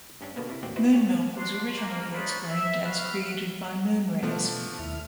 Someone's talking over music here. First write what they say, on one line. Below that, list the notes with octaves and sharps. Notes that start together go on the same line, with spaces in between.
Moonmilk was originally explained as created by "moon rays".
G2 C#4 D4
B2 D3 A#3 B3
C3 E4
A1 D#2 F#3 C4 D5
D#4 E4 F#4 B4 C5
C#4 G4 C#5
D4 F#4 C6
A#3
D4 D#4 F4 C5 C#5 B5
E5
F#4 B4 F5
B2 D3 F3 A3
D#2 E4 F6